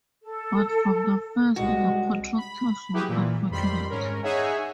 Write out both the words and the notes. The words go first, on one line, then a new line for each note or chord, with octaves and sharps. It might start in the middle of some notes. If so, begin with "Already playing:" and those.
But from the first the contractors were unfortunate.
A4
C2 G#3 F#4
B5
F#3 E4 G4 G#4 B4
A#2 E3
F2 D#3 G3 B5 C6
G#2 C#4 A#4
D#4 G#4 C#5 E5 F#5 G#5